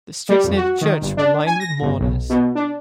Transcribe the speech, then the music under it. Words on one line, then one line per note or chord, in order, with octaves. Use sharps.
The streets near the church were lined with mourners.
G3
F2
F#4
D#3
G1
D4
G#5
A#6
G1
B1
B2
D4